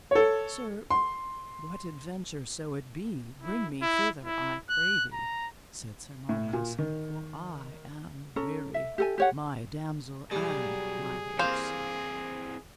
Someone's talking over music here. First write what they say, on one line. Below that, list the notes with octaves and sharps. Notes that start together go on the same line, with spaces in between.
Sir, what adventure so it be, bring me thither I pray thee, said Sir Marhaus; for I am weary, my damosel, and my horse.
A4 C#5
C6
E4
E4
E4
F#6
A#5
A2
A#2
D#3
C#4 A4 A#5
E5
G4 A4 G#5
G4 C#5 F#5
B2 F#3 G3 G#4
E3 A#3 C4 C5 F5